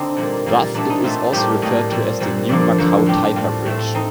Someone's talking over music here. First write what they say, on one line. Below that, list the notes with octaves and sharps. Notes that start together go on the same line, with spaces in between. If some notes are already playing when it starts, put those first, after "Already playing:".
Thus it is also referred to as the New Macau-Taipa Bridge.
Already playing: D3 C4 D#4
A#2 G3 A#3
A#2 G3 A#3
A#2 A3 C4 D4
D#4
A#2 A3 C4 F4
A2 G3 A#3 G4
A2 G3 A#3 D#5
A#2 G3 C4
A#2 G3 C4
F2 D3 F3 A#3 D5
F2 D3 F3 A#3 C5
A2 G3 C4 G4
A2 G3 C4 F4
A2 A3 C4
C4 D#4